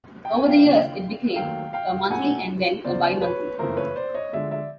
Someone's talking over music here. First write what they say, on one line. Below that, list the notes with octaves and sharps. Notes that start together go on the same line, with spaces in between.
Over the years it became a monthly and then a bi-monthly.
G5
G#5
F5 G5
D#2 C#3 F3
D#2 D#3 F#3 A3 F5 G5
F5 G5
B1 A#2 F#3 A3 F#5 G#5
E2 C#3 F3 C5 D5
B4 C#5
F#1 F2 C#3 E3 A3 A#4 C5
B4 C#5
C5 D5
C#5 D#5
D2 D3 F3 G#3 D5 E5
D5 E5